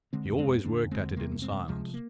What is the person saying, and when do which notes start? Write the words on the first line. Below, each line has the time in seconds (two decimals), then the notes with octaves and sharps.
He always worked at it in silence.
0.13 D3 G#3 C4
0.31 F2
0.39 G#3 C4
0.47 F2
0.64 D3 A#3 D4
0.83 F2
0.91 G#3 C4
0.99 D3
1.12 G#3
1.16 C3 G3 A#3
1.34 F2
1.42 G#3 C4
1.52 C3
1.68 C3 F3 G#3
1.94 A#3